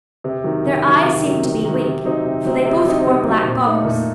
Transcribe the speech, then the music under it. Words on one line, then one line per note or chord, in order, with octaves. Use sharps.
Their eyes seemed to be weak, for they both wore black goggles.
C3
D#3 F#3
C3
D#3 F#3
C3
D#3 F#3
C3
D#3 F#3
C3
F#3 C4 D#4
C3
F#3 C4 D#4
C3
F#3 C4 D#4
C3
F#3 C4 D#4
A#2
A3 D#4
A#2